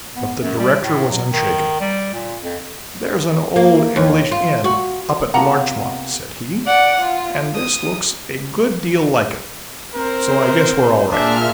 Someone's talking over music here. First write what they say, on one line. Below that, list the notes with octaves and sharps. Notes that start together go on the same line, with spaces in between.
But the director was unshaken. "There's an old English inn up at Larchmont," said he, "and this looks a good deal like it, so I guess we're all right."
B3
F#2
G3
A2
F#3
D#3
G3
A#2
F2
A#3
D#2
F4
F#4
C3 A#3 B3 F4 F#5 A#5
D5 F#5
F4
D#6
C4 A#4 C5
A#2 D4 G#4 E5 F6